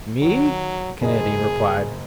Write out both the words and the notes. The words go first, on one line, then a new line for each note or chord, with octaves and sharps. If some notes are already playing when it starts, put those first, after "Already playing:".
"Me?" the Canadian replied.
D#3 F#3
F#1 G#4 D#5